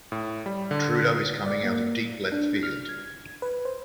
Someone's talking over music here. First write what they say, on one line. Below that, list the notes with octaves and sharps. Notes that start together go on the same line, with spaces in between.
Trudeau is coming out of deep left field.
A2
G3
D3
D5
A#3
D4
F6
G#6
B4
C5